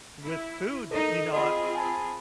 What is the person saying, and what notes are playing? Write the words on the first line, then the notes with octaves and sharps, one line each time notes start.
With food, you know I
E4
D#4 A4 A#4 D#5
C4 F4 G#4 D#5 B5
G#5 A5 B5